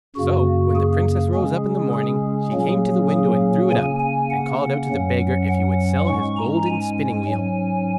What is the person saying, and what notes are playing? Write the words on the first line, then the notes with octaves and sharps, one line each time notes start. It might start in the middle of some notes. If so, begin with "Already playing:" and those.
So when the Princess rose up in the morning, she came to the window and threw it up, and called out to the beggar if he would sell his golden spinning-wheel?
F#2 C#3 A#3 F#4
G#4
C#3 G#3 C#4
G#4
A#2 F#3 A#3 C#4
G#4
C#3 A#3 C#4 G#5
G#5
F#5
F#2 F#3 C#4
F#5
G#2 G#3 C#4 C#6
A#5
G#5
G#2 F#3 C#4